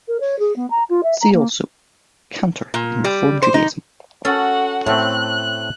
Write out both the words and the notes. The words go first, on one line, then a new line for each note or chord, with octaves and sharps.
See also: Cantor in Reform Judaism.
A#4
C#5
G#4
B3
A#5
F4
E5
A#5
A#3
A#2
G3
C5
D#4
C#4 F#4 A4 F#5
A2 A3 C4 C#5 F#6